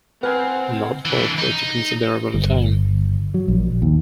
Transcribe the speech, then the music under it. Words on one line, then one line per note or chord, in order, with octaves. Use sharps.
Not for a pretty considerable time.
C4 B4 D#5 F5 F#5 G#5
E3 D4
D#4
G1
F#3
A#1
D#2